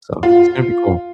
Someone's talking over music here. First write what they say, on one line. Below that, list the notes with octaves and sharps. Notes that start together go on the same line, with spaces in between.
so, it's gonna be cool.
F4